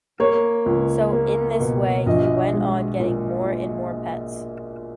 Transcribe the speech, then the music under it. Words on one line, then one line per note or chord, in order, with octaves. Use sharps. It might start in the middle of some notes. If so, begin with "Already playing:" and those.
So in this way he went on getting more and more pets.
A#3 C#5
C#2
A#3
B2
A#1 D#5
G#3
A#2